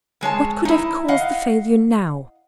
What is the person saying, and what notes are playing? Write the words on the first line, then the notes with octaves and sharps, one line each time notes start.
What could have caused the failure now?
F2 G#3 C#5 A5
D#4 E4
D#5 F5 F#5